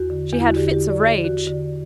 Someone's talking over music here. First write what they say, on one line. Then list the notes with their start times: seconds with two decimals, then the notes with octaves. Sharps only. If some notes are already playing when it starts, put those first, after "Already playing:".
She had fits of rage.
Already playing: E2 F#4
0.10 D3
0.33 E2
0.40 E4
0.47 F#4
0.56 D3 G4
0.73 G4
0.78 E2
0.90 D5
1.02 D3
1.08 D5
1.24 E2 F#4
1.47 D3